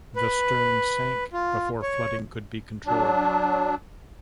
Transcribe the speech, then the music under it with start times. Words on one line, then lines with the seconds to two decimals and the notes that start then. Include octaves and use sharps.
The stern sank before flooding could be controlled.
0.16 B4
1.33 F4
1.82 C#5
2.86 F#3 D4